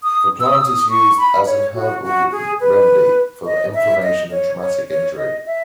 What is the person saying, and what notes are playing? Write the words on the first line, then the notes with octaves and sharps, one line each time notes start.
The plant is used as an herbal remedy for inflammation and traumatic injury.
D#6
E6
D#6
E6
D#6
C#6
B5
C#5
F#4
F#4
G#4
B4
D#5
E5
D#5
C#5
C#5
C#5
D#5
E5